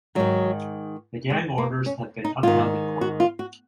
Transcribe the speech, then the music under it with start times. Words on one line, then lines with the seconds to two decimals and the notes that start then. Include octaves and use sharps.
The gag orders have been upheld in court.
0.15 G#2 D#3 F#3
1.30 G#3
1.58 A#3
1.86 C#4
2.25 D#4
2.43 G#2 D#3 F4
3.01 F#4
3.20 F4
3.39 F#4